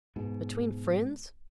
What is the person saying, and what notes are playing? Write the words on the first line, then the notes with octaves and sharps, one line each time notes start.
Between friends?
G#2 B2